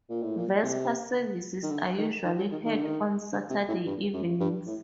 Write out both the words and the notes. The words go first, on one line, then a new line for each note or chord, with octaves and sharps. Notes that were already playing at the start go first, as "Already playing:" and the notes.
Vesper services are usually held on Saturday evenings.
A#2
A2
A#2
C3
D#3
D3
D#3
D#3
F#3
D#3
D#3
D3
D#3
D3
C3
A2
G2
F#2
G2
A2